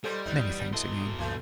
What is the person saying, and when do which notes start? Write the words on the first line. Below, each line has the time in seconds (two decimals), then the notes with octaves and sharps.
Many thanks again.
0.04 A#2 G3 A4 C5 D#5
0.25 E2 A2 B3 D#4
0.73 B2 E4 A4 D#5 C6
1.19 D2 G2 A#2 E3 A3